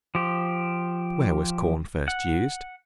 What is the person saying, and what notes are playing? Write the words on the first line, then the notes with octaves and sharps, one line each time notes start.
Where was Corn first used?
F3 G4
F#5